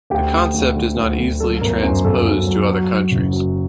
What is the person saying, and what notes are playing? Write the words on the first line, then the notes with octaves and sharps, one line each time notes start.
The concept is not easily transposed to other countries.
D2 G4
D2
D2
D3
D2
D2
F#3 A4
G1 A#4
F#2 C5
G1 A4
F#3
F#3
F#3
F#3
F#1
F#3